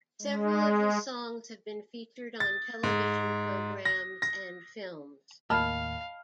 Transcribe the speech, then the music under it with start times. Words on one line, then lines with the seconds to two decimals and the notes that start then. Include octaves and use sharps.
Several of his songs have been featured on television programs and films.
0.22 G#3
2.40 A6
2.83 G#2
3.85 A#6
4.22 A#6
5.50 D#2 A2 A#3 D#5 F5 A5 B5 F6